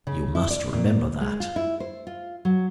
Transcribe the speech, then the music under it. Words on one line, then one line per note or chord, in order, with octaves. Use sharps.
You must remember that....
C#3
E4
D5
A#2
G#3
F4
E4
C5
F4
F#3